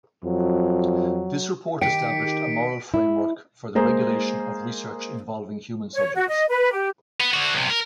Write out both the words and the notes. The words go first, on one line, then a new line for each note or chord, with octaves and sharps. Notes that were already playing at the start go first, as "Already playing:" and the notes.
This report established a moral framework for the regulation of research involving human subjects.
F2 F#3
D#3 G4 G5 B6 C#7 D7
E4
G#3 A#3 G#4 C5 A#5
C#5
F#4
D#5
B4
G4
B3
D3 F#4
B1 C3
A#4